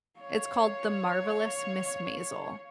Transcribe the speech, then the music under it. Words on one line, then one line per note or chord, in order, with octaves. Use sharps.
It's called The Marvelous Miss Maisel.
C#5 F5